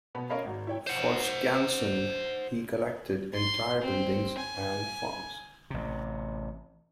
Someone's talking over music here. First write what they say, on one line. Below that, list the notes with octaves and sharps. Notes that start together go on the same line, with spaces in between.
For Skansen, he collected entire buildings and farms.
B2 B3 B5
C#4 A#4 D#5 F5 B5
G#1 F#4
E4 C#5 G5
C5 F#5
C6
C4
G#5
A1 C3